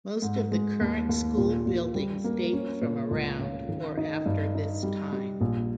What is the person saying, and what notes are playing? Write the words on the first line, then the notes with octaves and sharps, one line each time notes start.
Most of the current school buildings date from around or after this time.
G#2
G#3
D#2
D#2
A#2
A#2
G3
A#3
C#4
A#2
C#2
C#3
D#3
D#4
G2
D#4
G3
G3
A#1